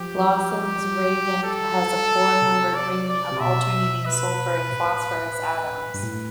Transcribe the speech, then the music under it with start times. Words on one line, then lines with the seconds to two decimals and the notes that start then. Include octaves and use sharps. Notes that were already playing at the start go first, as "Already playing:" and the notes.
Lawesson's reagent has a four membered ring of alternating sulfur and phosphorus atoms.
Already playing: F3 G4
0.78 G3
1.44 A4
2.42 C3
2.75 D5
3.08 D5
3.31 C3
3.40 B2 E5
4.06 B4
4.72 A2
5.94 G2
6.03 A2